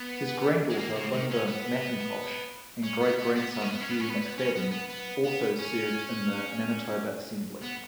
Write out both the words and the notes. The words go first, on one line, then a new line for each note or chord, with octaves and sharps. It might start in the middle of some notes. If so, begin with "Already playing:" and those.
His granddaughter Linda McIntosh and great-grandson Hugh McFadyen also served in the Manitoba assembly.
Already playing: B3
G#3
A#3
C#3
D#3
C#4
B3
C#4
B3
B3
B3
B3
C#4
B3
C#4
B3
C#4
B3
B3
C#4
B3
B3
B3
B3
C#4
B3